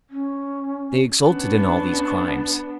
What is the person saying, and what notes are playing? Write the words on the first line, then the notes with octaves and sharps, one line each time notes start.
They exulted in all these crimes.
C#4
B3 C#4 D4